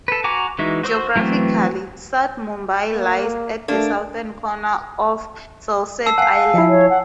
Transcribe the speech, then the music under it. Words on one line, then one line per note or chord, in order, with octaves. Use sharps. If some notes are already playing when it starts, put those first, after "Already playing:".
Geographically, South Mumbai lies at the southern corner of Salsette Island.
A4 B4
F#4 F#5 G#5 A#5 D6
E3 G#3 D#4 F#4 E5
F#4 C5 D6 E6
E3 F#3 A3 B3 C4
A#3
A3 A#3 D4
A5 E6 C7
F5 F#5 G#5 C7
F5
F3 E4
C#5
F#5